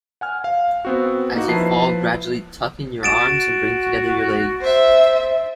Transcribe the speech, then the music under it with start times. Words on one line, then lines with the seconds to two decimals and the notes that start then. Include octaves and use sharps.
As you fall, gradually tuck in your arms, and bring together your legs.
0.21 F#5 G#5 F6
0.44 F5
0.85 B3 C4 F#4
1.34 A#3 D#4 F#4
1.48 F3 E4 B4 A5 C7
3.03 F#4 A6 D7 E7
4.60 C5 E5